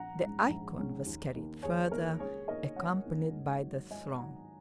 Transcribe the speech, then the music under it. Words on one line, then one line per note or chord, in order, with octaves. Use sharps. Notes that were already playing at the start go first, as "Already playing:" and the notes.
The icon was carried further, accompanied by the throng.
Already playing: A#1 F#5 A#5
G#2 G#3 C#4
A#1
G#2 G#3 C#4
D#2
D#3 A#3 D#4
D#2 G#4 C#5
D#3 A#3 D#4 A#4
C#2 G#4 C#5
C#3 A#3 D#4 A#4 D#5
C#2 C#5 F#5
C#3 A#3 D#4
G#2
D#3 F#3
G#2 D#5 G#5
D#3 F#3 F#5 A#5